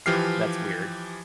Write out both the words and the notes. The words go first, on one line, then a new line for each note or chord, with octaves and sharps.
That's weird.
E3 F3 G4 F6 C7